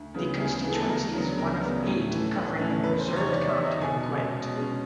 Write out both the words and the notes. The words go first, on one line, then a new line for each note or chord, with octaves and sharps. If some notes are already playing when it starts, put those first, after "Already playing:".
The constituency is one of eight covering the preserved county of Gwent.
Already playing: D2
C#3 E3 G#3 B3
D2 G#4
C#3 E3 G#3 B3
A4
D2 A#4
C#3 F#3 B3 D4
D2 A#4
C#3 F#3 B3 D4
A2
E3 A3 C#4
A2
E3 A3 C#4
E2 B4
C5
C3 D#3
C#5
E2 D5
E5
C3
D#3 D#5
B2 G#5
G#3 C#4
B2
G#3 C#4